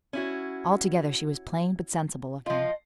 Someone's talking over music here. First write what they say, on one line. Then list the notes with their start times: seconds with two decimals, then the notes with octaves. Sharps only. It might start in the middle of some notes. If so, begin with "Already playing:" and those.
Altogether she was plain, but sensible-looking.
0.13 C#4 E4 F#4
2.46 F3 F4 D#5